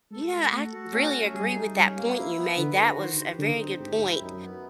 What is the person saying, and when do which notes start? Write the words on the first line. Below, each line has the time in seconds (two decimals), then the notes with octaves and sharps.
Yeah, ac really agree with that point you made, that was a very good point.
0.11 G#3 A4
0.32 F#4
0.52 A3 A4
0.73 F#4
0.93 A3 C#4
1.14 A3
1.34 G3 G#4
1.55 D#4
1.75 G3 C#4
1.96 A#3
2.17 E4
2.36 B3
2.57 D3 B4
2.78 F#4
2.98 D#3 C5
3.19 G4
3.39 D3 D#4
3.60 C4
3.80 G#2 G4
4.00 E4
4.20 F#2 D#4
4.41 B3